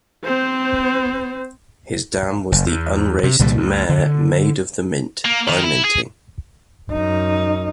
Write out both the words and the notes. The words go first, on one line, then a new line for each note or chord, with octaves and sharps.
His dam was the unraced mare Maid of the Mint, by Minting.
C4 C5
F#1
E2
C3
C2 A#2 D3 G3
D2
D3
A#3
D#3
E4
G#4
F#2 D#4